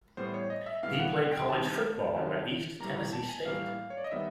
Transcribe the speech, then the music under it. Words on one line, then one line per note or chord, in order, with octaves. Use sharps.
He played college football at East Tennessee State.
A2 E3 G3 B3 C5
C#5
D#5
E5
A2 E3 G3 B3 F5
F#5
F#5
G5
C2 C3 D#3 A5
C2 C3 D#3
A2 E3 G3 A#3 A#5
A#5
A5
G#5
A2 E3 G3 A#3 F5
C#5
D5
D#5
D#3 G3 B3 E5